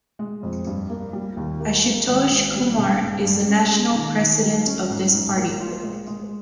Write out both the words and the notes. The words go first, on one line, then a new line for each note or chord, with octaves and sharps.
Ashutosh Kumar is the National president of this party.
G#3
F2
G2
A#3
G3
D#2
A#3
A#3
G#1
G#1
G3
C#3
G2
G2
C#4
G#3
D#3
D#3
G3
C#4
G#2
G#2
A#3
F4
G#3
G#3